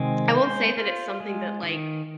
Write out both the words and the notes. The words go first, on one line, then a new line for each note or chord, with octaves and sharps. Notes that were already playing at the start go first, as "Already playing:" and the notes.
I won't say that it's something that, like,
Already playing: C3 D#3 G#3 C4
C5
F4
G#3
D#3